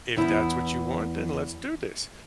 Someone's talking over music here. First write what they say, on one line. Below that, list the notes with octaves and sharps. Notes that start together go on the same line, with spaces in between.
if that's what you want, then let's do this,"
E2 B3 E4